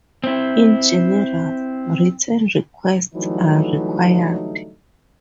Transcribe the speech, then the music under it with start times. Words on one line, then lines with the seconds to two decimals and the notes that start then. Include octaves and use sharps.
In general, written requests are required.
0.24 C4 E4
3.15 D3 E3 F#3 G3 A3 D#4